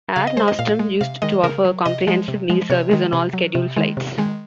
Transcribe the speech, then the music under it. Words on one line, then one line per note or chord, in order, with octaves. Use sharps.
Air Nostrum used to offer a comprehensive meal service on all scheduled flights.
C#3 F5
D#5
G#3 C5
D#5
A#2 F5
G#3
C3 F5
D#3 G#3 D#5
C#3 A#4
F#3
C3 D#5
F3 G#3
C3
F3 G#3
C3 C#5
D#3 G#3
C3
F#3
C3
D#3 G#3
C3
D#3 G#3